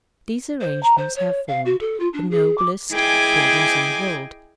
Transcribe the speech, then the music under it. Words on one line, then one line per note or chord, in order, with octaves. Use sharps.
These arrangements have formed the noblest buildings in the world.
C5
A#5
C5
C#5
F5
F#4
A4
F4
D4
G#4
D6
E4 G#4 D#5 G5 G#5 D6